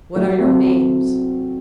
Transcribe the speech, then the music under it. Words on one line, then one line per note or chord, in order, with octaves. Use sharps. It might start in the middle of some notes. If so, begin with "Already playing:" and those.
"What are your names?"
F#3 A3
A3 C4